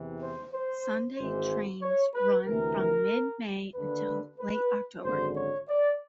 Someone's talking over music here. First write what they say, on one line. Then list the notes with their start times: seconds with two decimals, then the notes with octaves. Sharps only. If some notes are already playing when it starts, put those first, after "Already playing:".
Sunday trains run from mid-May until late October.
Already playing: E2 C3 E3
0.21 C5
0.53 C5
1.17 G#1 G#2 E3 C5
1.82 C#5
2.14 B4
2.46 D2 C3 E3 A#4
3.75 D#2 D3 B4
4.40 B4
5.04 G#1 F#2 D3 C5
5.36 C#5
5.68 D5